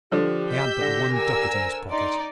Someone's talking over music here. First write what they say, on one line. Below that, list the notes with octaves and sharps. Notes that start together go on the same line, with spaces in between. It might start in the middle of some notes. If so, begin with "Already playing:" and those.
He had but one ducat in his pocket.
D3 F3 D4 G4
D#5 E6 G6 B6
D3 A#6
A#4 G#5 E6
C5
D#4 D5 A#5 C6